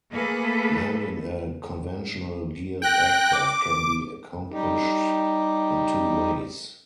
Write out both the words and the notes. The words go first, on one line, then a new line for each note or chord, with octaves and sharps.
Landing a conventional geared aircraft can be accomplished in two ways.
A3 A#3 G#4 A4 B4
G5 F#6 A#6
D6
G3 D#4 G4